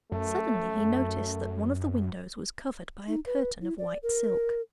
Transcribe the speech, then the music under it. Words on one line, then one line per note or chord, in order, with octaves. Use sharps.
Suddenly he noticed that one of the windows was covered by a curtain of white silk.
F#2 A3
D#4
B4
E4
D5
A#4